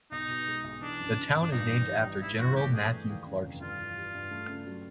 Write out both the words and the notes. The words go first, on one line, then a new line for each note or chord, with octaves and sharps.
The town is named after General Matthew Clarkson.
B1 D#4
B2
G#3
B1
E3 D4
F#2
C#3
G#1
D4
G2 D#4
E3
G3
G2
G2 E4
E3 F#4
A3 G4
G2 G#4
E3
D#2
C#3
F1
G2 F4
E3
G3
G2
A3
C#3
F#3